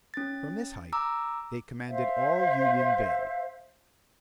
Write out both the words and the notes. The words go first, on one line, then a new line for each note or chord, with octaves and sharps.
From this height they commanded all Union Bay.
C#4 A6
A#5 D6 E6
C5 E5 F5